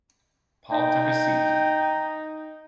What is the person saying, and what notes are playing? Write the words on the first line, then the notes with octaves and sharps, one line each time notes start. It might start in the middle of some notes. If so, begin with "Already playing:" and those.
Paul took a seat.
D#4 G5